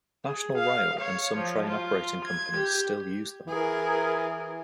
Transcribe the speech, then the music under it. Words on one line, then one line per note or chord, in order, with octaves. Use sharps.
National Rail and some train operating companies still use them.
G#4
F5
C#5
F3
F4
G#6
G4
E3 G#4 A#4